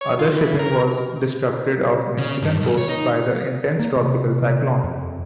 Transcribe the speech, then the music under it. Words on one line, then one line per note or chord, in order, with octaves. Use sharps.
Other shipping was disrupted off the Mexican coast by the intense tropical cyclone.
C#5
F4
E3
A#4
C#3
G2
B1
C#5
D#4
A#3
C3
C3
F2